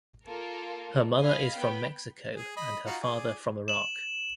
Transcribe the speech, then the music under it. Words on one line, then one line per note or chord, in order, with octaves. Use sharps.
Her mother is from Mexico and her father from Iraq.
A#3 F4 A4 A#4
D#5 F5 G#5 B5
B3 G5 B5
G#4
D#5 B5
D#4 F4 F#4
G#4 D5
E7 F#7